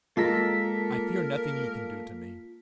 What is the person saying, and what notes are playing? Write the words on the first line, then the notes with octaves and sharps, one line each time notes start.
I fear nothing you can do to me.
G#3 A#3 F4 A4 A#4 A#5 B6